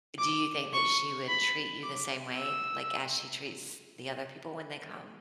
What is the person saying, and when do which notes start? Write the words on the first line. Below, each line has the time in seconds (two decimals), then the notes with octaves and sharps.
Do you think that she would treat you the same way, like, as she treats the other people when they come?
0.19 D6
0.74 C#6
1.29 B5
1.83 D6
2.38 E6